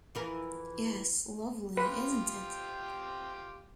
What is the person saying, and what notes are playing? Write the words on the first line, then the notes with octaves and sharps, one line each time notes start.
Yes, lovely, isn't it?
F2 E3 A#4
F4 G4 B4 G5